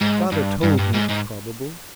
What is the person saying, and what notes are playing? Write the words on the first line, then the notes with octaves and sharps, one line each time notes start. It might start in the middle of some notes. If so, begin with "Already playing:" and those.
'Father told me it was probable.'
G#2
G2
G2
G2
G#2
G#2